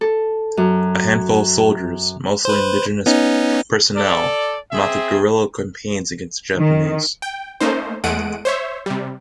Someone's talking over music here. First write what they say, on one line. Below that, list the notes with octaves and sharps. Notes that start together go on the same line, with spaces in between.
A handful of soldiers, mostly indigenous personnel, mounted guerilla campaigns against the Japanese.
A4
F#2
B4 C5
B3 C#4 D#4
A4 D5
C4 G#4 E5
D#3
G5
A3 A#3 C#4 D#4 C5
E2 G#3 A3 F#5 D7 D#7
C5 C#5 E5
C3 G3